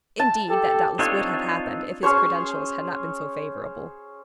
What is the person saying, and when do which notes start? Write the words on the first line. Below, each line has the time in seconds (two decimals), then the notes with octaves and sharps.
"Indeed, that doubtless would have happened if his credentials had not been so favorable."
0.20 A5
0.49 G4 A4
0.99 C4 D4 D#4 F4 C#5
2.03 C#4 G#4 C5 C#5